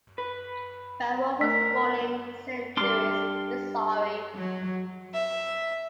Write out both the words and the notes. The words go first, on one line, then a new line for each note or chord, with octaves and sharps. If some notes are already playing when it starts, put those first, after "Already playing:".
Barone was born in Saint Louis, Missouri.
B4
A3 A#4 B6
G3 D4 C6 D6 F6
F#3
E5